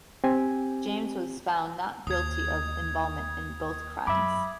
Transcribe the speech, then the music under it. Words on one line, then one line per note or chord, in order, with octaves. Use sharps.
James was found not guilty of involvement in both crimes.
C4 G4 G#5
D#2 D#6 G#6
F#2 E5 B5 D6